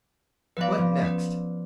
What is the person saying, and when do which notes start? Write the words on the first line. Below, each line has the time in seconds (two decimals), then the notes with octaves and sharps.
What next!
0.57 F3 B3 B4 D5 F5
0.78 F3
1.02 C#4 B4